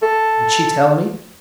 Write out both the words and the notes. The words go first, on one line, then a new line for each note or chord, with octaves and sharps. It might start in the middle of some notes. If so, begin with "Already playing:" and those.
Would she tell me?
A4